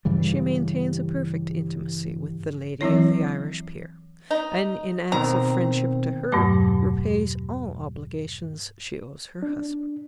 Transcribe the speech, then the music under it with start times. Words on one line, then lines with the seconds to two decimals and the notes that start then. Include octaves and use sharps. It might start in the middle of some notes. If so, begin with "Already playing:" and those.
She maintains a perfect intimacy with the lady of the Irish peer; and in acts of friendship to her repays all obligations she owes her husband.
0.05 G2 C#3 E3 G3
2.81 E3 F#3 C4 E4 C#5
4.31 D#4
5.12 B2 D#3 C4 A#5
6.32 E2 G2 B2 F#3 A3 D6
9.43 D4